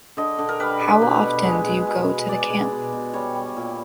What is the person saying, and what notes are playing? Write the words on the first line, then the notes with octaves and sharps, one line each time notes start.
How often do you go to the camp?
D3 D#5
D3
A#4
G3 B4
G3
B2
B2
G#3
G#3
B2
B2
G#3 D5
G#3
B2
B2
G3 C#5
G3
A#2